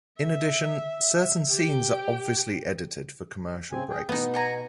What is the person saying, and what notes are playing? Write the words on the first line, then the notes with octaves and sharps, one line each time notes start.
In addition, certain scenes are obviously edited for commercial breaks.
E5
G4 G5
C#3 C4 G#5
G#4 G5
B2 B3 D#4
F#5 G#5 A#5